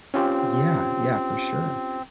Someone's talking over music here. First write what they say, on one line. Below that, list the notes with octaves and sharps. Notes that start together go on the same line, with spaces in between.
Yeah, yeah, for sure.
C4 C#4 F4 G4